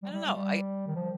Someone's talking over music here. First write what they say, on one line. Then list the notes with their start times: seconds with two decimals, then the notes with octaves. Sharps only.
I don't know, I
0.03 G3
0.13 G3
0.34 G3
0.88 D#3
0.96 F3